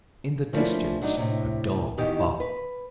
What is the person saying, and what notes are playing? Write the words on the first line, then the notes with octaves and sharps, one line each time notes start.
In the distance a dog barked.
F3 A3 A#3 C#4 D4 E4
F#3 D4 D#4
A2 C3
B2 D#3 E3 D#4 G4
B4